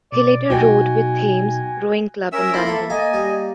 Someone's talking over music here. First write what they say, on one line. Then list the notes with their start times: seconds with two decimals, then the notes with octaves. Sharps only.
He later rowed with Thames Rowing Club in London.
0.12 B2 D5
0.50 B2 F#3 D#4 F#4 G5 G#5
2.32 C#4 A#4 E5 E6
2.54 A3 A#3 E4 B5 C6
2.66 A#3 A4 E5
2.90 A#3 A4 D#5 G#5
3.13 G3